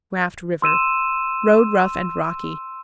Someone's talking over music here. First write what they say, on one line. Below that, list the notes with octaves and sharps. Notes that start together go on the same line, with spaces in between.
Raft River.--Road rough and rocky.
C6 E6 D#7 E7